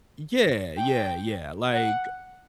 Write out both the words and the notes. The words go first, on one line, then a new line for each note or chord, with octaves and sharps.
Yeah, yeah, yeah. Like,
G5
F#5